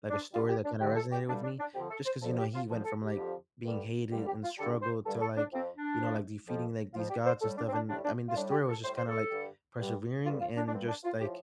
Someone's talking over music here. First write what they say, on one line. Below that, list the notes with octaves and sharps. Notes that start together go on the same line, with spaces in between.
like a story that kinda resonated with me, just 'cause, you know, he went from, like, being hated and struggled to, like, you know, like, defeating, like, these gods and stuff, and, uh I mean, the story was just kinda, like, persevering and just, like,
D4
G2 D3 G3 F4
G4
D4
G2 D3 G3 G4
A4
G4
G2 D3 G3 D4
D4
D4
F2 D3 F3 G4
A4
C5
F2 D3 F3 A4
G4
F4
F2 D3 F3 A4
A4
G4
F2 D3 F3
G2 D3 G3
G2 D3 G3 G4
G4
F4
G2 D3 G3 A4
C5
G2 D3 G3 A4
A4
D4
F2 F3 C4
D4
F2 F3
F2 F3
F2 F3 F4
G4
C5
A2 G3 A4
D4
C4
D4
A2 G3 D4
D4
F4
A2 G3 D4
G4
A4
A2 G3 C5
C5
A4
G2 D3 G3
G2 D3 G3
G2 D3 G3 F4
F4
D4
D4
G2 D3 G3 C4
D4
F4
A2 F3 G4